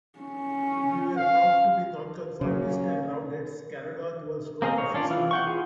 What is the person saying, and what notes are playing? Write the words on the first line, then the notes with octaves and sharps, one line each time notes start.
"We were proud to be nonconformists and Roundheads", Caradon once wrote of his family.
C#4
F5
C#3 F#3 A#3 C#4
A#3 C4 G#4 A#4 D#5
C#5
C#4 D4 F4 D5
E3 F4
F#5 G5 C#6
E4 F4 G#4